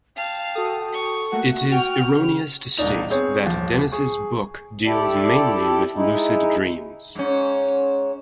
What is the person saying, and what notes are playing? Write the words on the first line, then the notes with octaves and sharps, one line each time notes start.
It is erroneous to state that Denys's book deals mainly with lucid dreams.
F5 G5 A5
F#4 A4 D#6
C#6
A3 A#3 F#4 F#5
F#4 G5 C#6 F6 F7
C#3
E1 C2 A#2 D4 D#4 F7
B3 C4 G#4 C#5
D#1 F3
G#4 G#5 C#6
E4 G4 A4 D5
G#3 D#4 E4
G#2 C#4